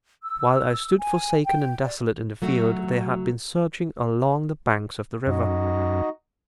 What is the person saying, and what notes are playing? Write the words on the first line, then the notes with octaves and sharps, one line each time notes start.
While I stood forsaken and desolate in the field, they had been searching along the banks of the river.
E6
G#5
G5
D5
F#3 A3 F#4
F#2 D#4 F#4 D#5